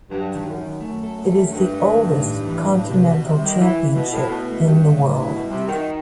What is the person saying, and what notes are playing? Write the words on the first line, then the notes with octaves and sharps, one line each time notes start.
It is the oldest continental championship in the world.
G2 F#3
D#3
F#2
D#3
F#2 A3
A4
A3
G2 A3
A3
D#3
A2
E3
A2
G2 C3
B2
D#3
C3
G3
D#3
E3 E4
E4
B2
E4
A2
B2 A3
A3
G2
A3
A2
G2
E4
B2
G3
C3
D#3 F#4